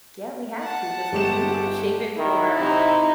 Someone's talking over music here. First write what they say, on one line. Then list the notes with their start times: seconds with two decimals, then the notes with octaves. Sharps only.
Yeah, we have to. If if we wanna shape it for,
0.59 F#5 A5
1.13 G1 G#3 G4 E7
2.18 D#3 E4
2.59 C3 D#4